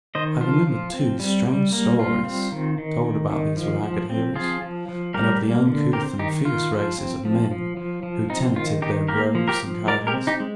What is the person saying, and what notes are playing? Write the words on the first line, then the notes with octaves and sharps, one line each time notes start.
I remembered, too, strange stories told about these Ragged Hills, and of the uncouth and fierce races of men who tenanted their groves and caverns.
D#3 C5 D#5
F3 F4
F3
C4
G3
G3
A#3
G3 F4
C4
D#3
D#3
D#3
D#3
F3
F3
C4
F3 F4 G#4
F3
F3
G3 G4 A#4
A#3
D3
C4 G4 A#4
D#3 D#4 G4
D#3 F4
F3
C4
F3
F3
F3
F3
C4 D#4
D#3 F4
D#3 D#4 G4
A#3 G4 A#4
F3
G4 A#4
F3
G#3 A#4 D5
G4 A#4
C4
D#4 G4
G#3